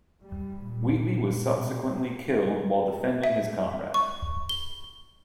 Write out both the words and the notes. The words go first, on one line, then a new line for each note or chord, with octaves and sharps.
Wheatley was subsequently killed while defending his comrade.
G3
A#2
B2
E5
C#6
G7